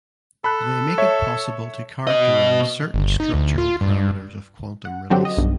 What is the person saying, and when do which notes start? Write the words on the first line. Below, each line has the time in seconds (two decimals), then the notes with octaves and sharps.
They make it possible to characterize certain structural parameters of quantum release.
0.44 A4 B5 F#6
0.98 C#5 E5
2.07 B2 D#5
2.94 G1
3.20 D#4
3.34 D2
3.58 F4
3.81 G2
4.85 F#5
5.10 D3 F#3 C4 F#4 G4
5.25 D#5
5.37 B1 G2